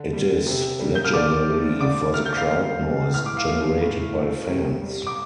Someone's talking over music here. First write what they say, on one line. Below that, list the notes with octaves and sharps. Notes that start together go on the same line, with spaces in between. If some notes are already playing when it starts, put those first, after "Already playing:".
It is legendary for the crowd noise generated by fans.
Already playing: D3
G3
C3
G3
G6
F6
D3 D5 D6
F3 A3
D3 D5 D6
A3 F6
G6
F5 F6
D3
G3
A2 F6
D6
F5 F6
F3 A3
A2
A3
C3
G3
D6